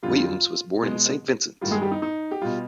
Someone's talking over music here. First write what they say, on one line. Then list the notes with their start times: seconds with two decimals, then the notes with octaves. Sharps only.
Williams was born in Saint Vincent.
0.03 F2 D3 G3 F4
0.83 B2 G#3
1.61 G2 D#3 G3 F4
1.71 G#3 G#4
1.82 G3 G4
1.91 D#4
2.02 D#4
2.31 G4
2.42 B2 G3 F4